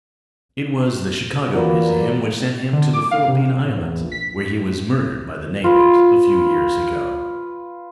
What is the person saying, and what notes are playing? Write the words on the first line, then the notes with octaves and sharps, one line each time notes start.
It was the Chicago Museum which sent him to the Philippine Islands, where he was murdered by the natives a few years ago.
E3 A#3 F4 F#4 B4 D5 A#5
D3
D6
F5
C3
A2
E2
A#1
B6
F4 B4